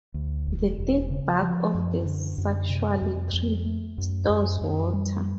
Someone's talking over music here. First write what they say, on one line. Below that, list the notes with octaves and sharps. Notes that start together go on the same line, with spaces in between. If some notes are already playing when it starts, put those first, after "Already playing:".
The thick bark of the saxaul tree stores water.
D2
E1
E1
C#3
F3
F#2
D3
F#2
C3
F2
F2
A3
F#2
F#2
F#2
G3